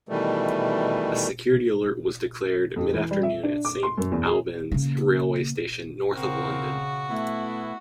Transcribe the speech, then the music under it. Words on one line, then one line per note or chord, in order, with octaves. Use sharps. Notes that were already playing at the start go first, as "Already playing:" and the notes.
A security alert was declared, mid-afternoon, at Saint Albans railway station, north of London.
B2 D#3 E3 G3 A3
F2
E3
G3
E5
D4
D6
C6
F#2
E2
G#4
C#3 A#3
C#3 C4 F#4 A#4
A3 B3 E4